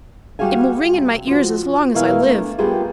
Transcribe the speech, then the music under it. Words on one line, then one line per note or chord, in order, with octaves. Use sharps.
It will ring in my ears as long as I live.
G3 F#4 G#4 F5 G#5
C3
F3 F#4
B2 E3 E4 A#4 F5 G#5
A3 D4
G3 A#3 B3 F4 G4 G#4